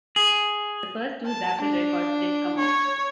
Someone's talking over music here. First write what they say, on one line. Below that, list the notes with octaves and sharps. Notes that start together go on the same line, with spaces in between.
The first two Zapple records did come out.
G#4
A5
D4
C#5